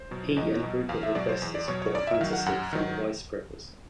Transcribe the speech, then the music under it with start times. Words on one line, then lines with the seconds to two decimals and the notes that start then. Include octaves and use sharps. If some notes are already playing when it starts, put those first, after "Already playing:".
He and a group of investors bought Fantasy from the Weiss brothers.
Already playing: C5
0.11 B2 F#3
0.37 E2 D#5
0.63 B2 F#3
0.89 E2 F5
1.03 E5
1.15 B2 F#3 D5
1.29 C5
1.42 E2
1.55 D5
1.68 B2 F#3 C#5
1.82 C#5
1.95 F#2 D5
2.07 E5
2.21 D#3 F#3 F5
2.33 F#5
2.46 F#2 F#5
2.73 D#3 F#3